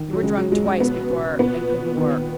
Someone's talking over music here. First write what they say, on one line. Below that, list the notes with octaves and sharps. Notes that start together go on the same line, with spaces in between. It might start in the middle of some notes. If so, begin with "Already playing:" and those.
You were drunk twice before and couldn't work.
Already playing: D#3
F#3
C#3 G#3
F#3
F#2 G#3
G#3
B2 B3
B2
A#2 B3
A#2
D#3